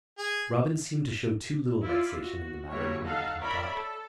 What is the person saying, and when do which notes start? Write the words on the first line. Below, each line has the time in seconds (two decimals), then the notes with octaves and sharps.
Robin seemed to show too little vexation in the matter, Warrenton thought.
0.18 G#4
1.83 E4 F4 D5
2.20 F#4
2.70 D3 F#3 G3 A#3 E4 C#5
3.03 D#4 A4 F5 F#5
3.41 A#4 C#5 D5 E5 B5
3.72 A4